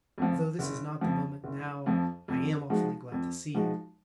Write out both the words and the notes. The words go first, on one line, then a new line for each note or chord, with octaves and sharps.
Though this is not the moment now, I am awfully glad to see you.
F2 F3
F#1
F2 F3
F#1
F2 F3
F2
F3 G#3 D#4 F#4
F2
F3 G#3 D#4 F#4